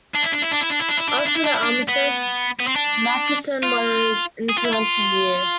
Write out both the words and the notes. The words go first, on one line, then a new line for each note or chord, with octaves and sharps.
After the Armistice, Mackensen was interned for a year.
D4
E4
D4
E4
D4
E4
D4
E4
D4
E4
D4
E4
D4
E4
D4
E4
D4
B3
B3
C4
D4
F4
G#4
F4
E4
F4